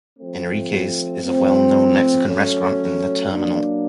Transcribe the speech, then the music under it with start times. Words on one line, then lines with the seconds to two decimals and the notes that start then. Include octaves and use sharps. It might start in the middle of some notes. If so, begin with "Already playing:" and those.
"Enrique's" is a well known Mexican restaurant in the terminal.
0.18 F3 A3 C4
1.22 F3 A3 C4
2.26 F#3 A3 C#4
3.31 F#3 A#3 D4